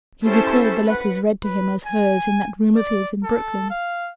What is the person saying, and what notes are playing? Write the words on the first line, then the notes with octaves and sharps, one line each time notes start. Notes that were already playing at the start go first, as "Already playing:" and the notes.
He recalled the letters read to him as hers in that room of his in Brooklyn.
C#4 E4 G4 A4 C5 A5
B4 F#5
B4
G#5
D5
A4
F5